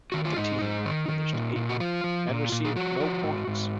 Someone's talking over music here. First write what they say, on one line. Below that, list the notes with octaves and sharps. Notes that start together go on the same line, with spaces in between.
The team finished eighth and received no points.
D#3 F#4
F4
G#2 D#4
G#2
D#3
D#3
A#2
A#2
F#4
F3 F4
F3
A#2
A#2
G#4
F3 F#4
F3
G#2
G#2